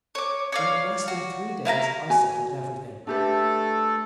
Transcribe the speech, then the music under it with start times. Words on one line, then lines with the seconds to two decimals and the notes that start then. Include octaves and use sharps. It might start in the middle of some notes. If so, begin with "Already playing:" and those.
In less than three days I settled everything.
0.15 C#5 D6
0.52 C#5 D5 F5
1.08 F#4
1.65 E4 F5 G#5 A#5
2.10 F#4 G#5
3.07 A3 D4 G4 A4 B4